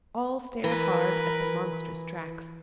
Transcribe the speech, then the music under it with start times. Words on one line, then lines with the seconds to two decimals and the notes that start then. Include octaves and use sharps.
All stared hard at the monstrous tracks.
0.64 E3 A#4 B4